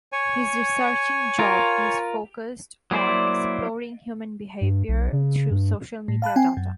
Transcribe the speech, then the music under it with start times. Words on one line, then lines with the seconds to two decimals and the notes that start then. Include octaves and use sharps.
His researching job is focused on exploring human behavior through social media data.
0.12 C#5 G#5
1.39 F4 A#4
2.91 F#3 A#3 E4 C5 D5
4.61 G2
4.88 B1
5.12 C#3
5.51 G2
6.08 A2
6.22 F5 A5 B5 F#6
6.36 C4 G5 G#5
6.57 F#2